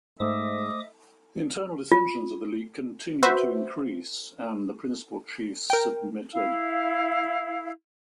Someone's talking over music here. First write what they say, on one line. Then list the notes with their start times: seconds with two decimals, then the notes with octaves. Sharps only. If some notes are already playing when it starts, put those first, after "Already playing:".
The internal dissensions of the league continued to increase, and the principal chiefs submitted.
0.20 G#2 A3 C5 D#5 E5 D6 D#6
1.92 F4
3.23 F#4 B4 C5 E5
5.70 A#4 G5
6.33 E4 F5